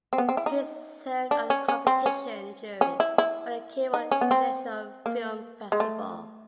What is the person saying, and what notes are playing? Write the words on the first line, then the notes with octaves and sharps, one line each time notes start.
He served on the competition jury for the Cairo International Film Festival.
C4
B3
C4
E4
D#4
D4
C#4
C#4
C4
C#4
C#4
E4
E4
D#4
C#4
B3
C4
A#3
G#3
A3